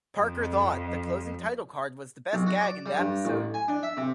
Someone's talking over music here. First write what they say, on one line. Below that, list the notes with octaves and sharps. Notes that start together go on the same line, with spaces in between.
Parker thought the closing title card was the best gag in the episode.
F2
B1
F#4
D5
G3
G2
A1
G#5
D4
E5
C3